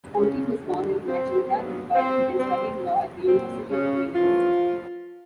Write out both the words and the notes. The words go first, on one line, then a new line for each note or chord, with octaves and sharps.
Ponti was born in Magenta, Lombardy and studied law at the University of Milan.
C#3 C#4
F#2 D3 D#3 G#3 B3 D4
C4
G2 D#3 F#3 A#3 B3
C4
D3 G3 B3 C4
A#2 F#3 A#3 C4
C#3 C#4
G2 E3 F3 A3 F4